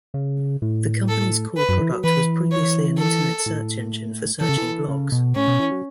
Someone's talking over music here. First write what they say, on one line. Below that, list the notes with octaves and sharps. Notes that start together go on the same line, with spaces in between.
The company's core product was previously an Internet search engine for searching blogs.
C#3
A2
A4
B4
F#2
E3
F#3
E3 B4
C#5
A4
A2
E3 A4
C#3
E3
C#3
B2
A2 C#4
B2
E3
F#3